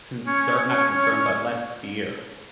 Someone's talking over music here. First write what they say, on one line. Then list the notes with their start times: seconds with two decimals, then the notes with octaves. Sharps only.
concer not concern, but less fear
0.25 C#4 C#5
0.67 C#4 C#5